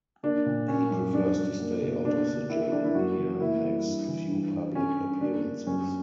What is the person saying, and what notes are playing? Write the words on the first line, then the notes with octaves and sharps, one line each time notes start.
He prefers to stay out of the general media and makes few public appearances.
A#3 D4
A#2
A#3 C#4
F#2
F#2 D4
F#2
A#3
B2
A#3 D4
D3
A#3 E4
E4
A#3 D4
E4
F#2 F#4
E3
A#3 E4
G3
G2
E3
G2
G2
G2 C#4
G2
A#3 D4
G2
F#2 C#4